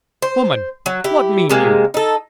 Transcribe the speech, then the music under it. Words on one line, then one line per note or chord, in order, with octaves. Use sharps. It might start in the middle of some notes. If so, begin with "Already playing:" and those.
"Woman, what mean you?"
C5
F#3
E4 G4
C3 G#3 A#3
D#4 A4